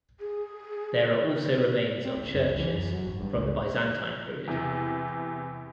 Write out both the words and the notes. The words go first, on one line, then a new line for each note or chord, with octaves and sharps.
There are also remains of churches from the Byzantine period.
G#4
C4
D2
F#2
C#2
E3
F#2
F#3
G#1
G2
C#2
E2 C3